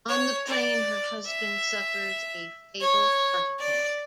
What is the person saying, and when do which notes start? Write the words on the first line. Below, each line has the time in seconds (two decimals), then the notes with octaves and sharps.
On the plane, her husband suffers a fatal heart attack.
0.09 C#5
0.47 D5
1.26 E5
2.81 C#5
3.60 D5